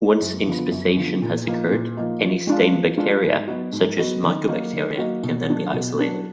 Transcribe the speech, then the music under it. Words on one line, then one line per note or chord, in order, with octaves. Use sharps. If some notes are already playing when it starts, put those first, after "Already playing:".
Once inspissation has occurred., any stained bacteria, such as Mycobacteria, can then be isolated.
F#2
D3 F3 B3
F#2
D3 F3 B3
A#2
F3 A#3 D#4
A#2
F3 A#3 D#4
F3
G#3 D4 F4
F3
G#3 D4 F4
G#2
F#3 B3 D#4 F#4
G#2
F#3 B3 D#4 F#4
D#3
F#3 A#3 D#4 F#4
D#3
F#3 A#3 D#4 F#4
B2
F#3 D4 F#4
B2
F#3 D4 F#4